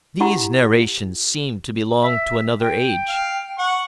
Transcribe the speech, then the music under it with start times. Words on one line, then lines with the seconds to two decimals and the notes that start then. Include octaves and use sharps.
These narrations seemed to belong to another age.
0.20 E4 G4 F#5 A#5
2.02 E5
2.60 G5
3.09 F5
3.59 F#5 C#6